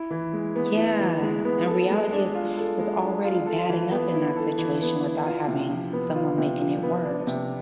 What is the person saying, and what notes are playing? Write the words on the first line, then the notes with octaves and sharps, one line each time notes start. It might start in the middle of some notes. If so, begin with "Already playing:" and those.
Yeah, and reality is is already bad enough in that situation without having someone making it worse.
Already playing: E4
E3
G#3
B3
E4
E3
G#3
B3
A4
G#3
D4
F4
A4
G#3
D4
F4
A4
E3
B3
E4
A4
E3
B3
E4
F4
C3
F3
B3
F4
C3
F3
B3
D4
C3